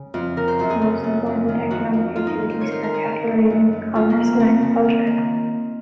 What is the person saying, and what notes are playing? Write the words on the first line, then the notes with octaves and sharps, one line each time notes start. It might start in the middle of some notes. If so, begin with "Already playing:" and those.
The most important economic activities are cattle raising, commerce, and agriculture.
Already playing: C#3
F2
C#3 A#4
C5
F#2 C5
G#4
C#3
F#2
F2
D#3
F2 F#4
F2
G#2 F4
D#4
D#3
C5
D#3 C#5
A#4 C5
G#2 A#4
G#4
C#3
F#2
F#2
C#3
C#3 F4
A#3
F2
A#3
C#3 C4
C#3
D#3
D#3